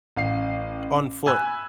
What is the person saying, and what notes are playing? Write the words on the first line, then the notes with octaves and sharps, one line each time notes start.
On foot,
A1 F5 C7
G#5 B5 E6 F#6 G#6